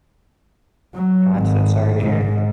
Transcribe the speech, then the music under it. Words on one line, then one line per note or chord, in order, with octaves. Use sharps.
Gotcha. Sorry to hear.
F#3
G#1
G#2